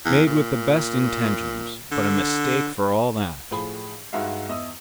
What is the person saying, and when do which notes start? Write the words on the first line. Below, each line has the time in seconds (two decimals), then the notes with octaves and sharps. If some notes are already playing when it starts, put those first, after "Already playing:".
"Made with the best intentions--but a mistake for all that."
0.05 E2
0.27 A#2
1.91 D3
3.51 A2 F3 G#4 B5
4.13 G2 G#3 D#4 F#4 E5 F5
4.49 E2 D#5 E5 D#6 E6